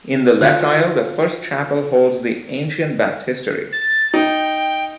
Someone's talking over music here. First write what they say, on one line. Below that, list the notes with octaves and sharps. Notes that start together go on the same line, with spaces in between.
In the left aisle, the first chapel holds the ancient baptistery.
D3 D4 F4 F#4 C5 F5
A6
D#4 G5